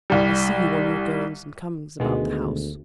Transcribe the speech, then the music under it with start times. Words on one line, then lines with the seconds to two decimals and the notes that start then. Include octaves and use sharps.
I see you on your goings and comings about the house.
0.10 C2 G3
2.00 D2 B2 D#3 G#3